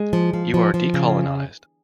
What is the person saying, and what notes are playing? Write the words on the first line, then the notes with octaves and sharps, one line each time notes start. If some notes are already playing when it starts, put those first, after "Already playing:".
You are decolonized.
Already playing: G#3
F3
F3
F3
F3
C#3